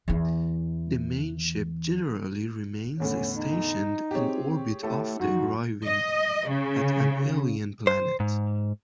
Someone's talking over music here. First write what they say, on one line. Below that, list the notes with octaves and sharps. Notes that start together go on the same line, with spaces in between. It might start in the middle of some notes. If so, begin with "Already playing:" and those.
The main ship generally remains stationed in orbit after arriving at an alien planet.
E2 E3
E2 A2 D3 C#4
D#4
C4 G4 G#4 C#5
A2 A3 G4 A4
F#2 D#4 F#4
D#5
C#3
C5
G#2